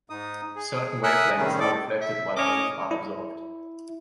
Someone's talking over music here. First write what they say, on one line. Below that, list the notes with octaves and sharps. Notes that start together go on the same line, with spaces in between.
Certain wavelengths are reflected, while others are absorbed.
G#2 D#4 D#6
G#4
A#4 E5 G#5 D#6 E6 F#6
A2 C3 D#3 G3 C#4 G#4
A2 A4 D5 D6
E5
C#4 A#4 C#5 D#5 D6
E4